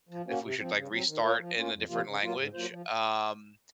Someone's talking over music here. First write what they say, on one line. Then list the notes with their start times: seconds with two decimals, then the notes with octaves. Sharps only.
if we should, like, restart in a different language. Um,
0.09 F3
0.26 A#3 C#4 F#4
0.41 C3
0.58 F3 C4
0.74 C#3
0.90 F#3 C4
1.07 D#3
1.22 A#3 F4 A#4 C#5
1.38 F3
1.56 A#3 C#4 F4
1.71 F2
1.88 C3 F3 A#3 F4
2.04 C#3
2.20 F#3 A#3 F4
2.36 G#2
2.53 F#3 A#3 F4 C5
2.69 F3